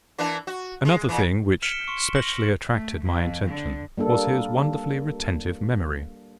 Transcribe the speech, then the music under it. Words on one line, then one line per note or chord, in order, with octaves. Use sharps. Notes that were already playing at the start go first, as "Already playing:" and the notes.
Another thing which specially attracted my attention was his wonderfully retentive memory.
E3 A#3 D4
F#4
G#3
A#2 E3
F6 B6 C#7 D7 E7 G7
C6 C#6
A#6 F#7
A3
F2
D3
G3 A#3 D4 A4